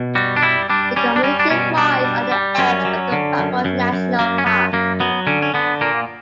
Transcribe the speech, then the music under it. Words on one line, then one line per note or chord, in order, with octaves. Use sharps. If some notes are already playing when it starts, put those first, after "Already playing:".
The community lies on the edge of the Paparoa National Park.
Already playing: B2
G3 F#4
D4
G3 E4
G3 D4
G3 C#4
D4
G3 C#4
D4
B2 C#4
G3 D4
G3
G3
F#2 C#4
F#3
D3
F#2
F#2
F#2
F#2 A#3
C#4
F#2 B3
F#2 A#3
F#3 B3
D3 C#4
C#4
D3 B3
A#2 A#3